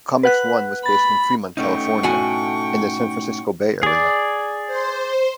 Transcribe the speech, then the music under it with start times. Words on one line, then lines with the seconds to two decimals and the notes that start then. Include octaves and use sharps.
ComicsOne was based in Fremont, California, in the San Francisco Bay Area.
0.23 B4 F#5 F#6
0.86 B5 A6
1.57 A3 C#4 D#4 F#5 G5 C#6
2.03 A2 F#4 G#5
3.83 G#4 D5
4.67 C5